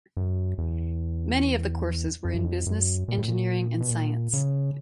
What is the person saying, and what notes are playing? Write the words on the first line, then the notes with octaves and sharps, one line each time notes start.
Many of the courses were in business, engineering and science.
F#2
E2
F2
F#2
F2
F#2
A#2
A2
A#2
B2
A#2
C#3